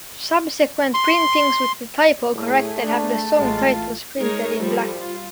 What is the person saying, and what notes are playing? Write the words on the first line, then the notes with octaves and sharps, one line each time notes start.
Subsequent printings with the typo corrected have the song titles printed in black.
C6
A2 A3 G#4
D4 A5
A1 G#3 F4
G#3 D#4 G#4 A#4 C#5
F3 G3 A4
F4